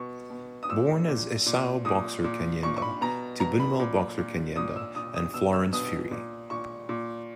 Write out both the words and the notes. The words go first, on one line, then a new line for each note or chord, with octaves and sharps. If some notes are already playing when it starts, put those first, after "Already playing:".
Born as Esau Boxer Kanyenda, to Binwell Boxer Kanyenda and Florence Phiri.
Already playing: B2 C#6
B2
D#6
A#2 E6
A#2
A#2
A#2 D#6
A#2
A#2 C#6
C#6
B5
B2 A#5
B2 A#5
B5
A#2
A#2
A#2 D#6
E6
A#2 D#6
D#6
B2 E6
E6
B2 D#6
A#2
A#2 C#6
A#2